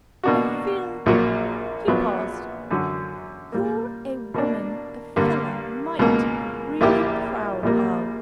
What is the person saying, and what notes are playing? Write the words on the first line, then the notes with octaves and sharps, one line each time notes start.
I feel'--he paused--'you're a woman a fellah might be really proud of.'
B2 A#3 D4 F#4
A#1 A#2 F#3 A#3
A#1 A#2 F#3 B3
F#2 D3 F#3
A#2 G3 A#3
B2 A#3 D4
G2 D3 A#3
C#2 B2 A#3
A#1 A#2 A#3 E4 G4
A#1 A#2 G3 A#3